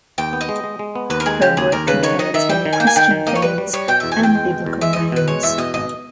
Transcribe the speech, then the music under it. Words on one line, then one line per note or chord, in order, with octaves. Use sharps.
Her work contains many Christian themes and Biblical names.
D#2 G5
B3
D#5
G#3
G#3
G#3
B3
D#2 B4
A#4
G#3 G#4
C#3 G4
D#2 G#4
D#2 A#4
C#3 B4
D#3 C#5
D#3 D#5
D#3 E5
G3 G5
D#3
G#5
A#3 G5
G#5
D#3 G5
D#3
A#3 D#5
C#5
G3 B4
G3
G3 C#5
B2 G5
E2 E5
G#5
E2 G5
G#3
B2
E2
G#3 E5
E2 D#5
B2 B4
G#3 C#5
E2 E5
B2 D#5
G#1 D#5